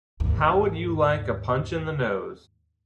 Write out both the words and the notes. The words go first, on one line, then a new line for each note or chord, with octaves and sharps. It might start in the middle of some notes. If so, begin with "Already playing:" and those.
How would you like a punch in the nose?
D#2 G#2